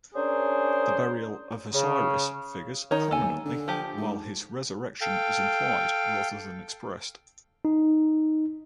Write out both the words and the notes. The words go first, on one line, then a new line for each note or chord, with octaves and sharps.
The burial of Osiris figures prominently, while his resurrection is implied rather than expressed.
C#4 D4 G#4 A#4 C5
C#3
D#3 D#4 C#5
D#2 A4 G#5
D3
F3 G4
G#2
A4 F5 G5
D#4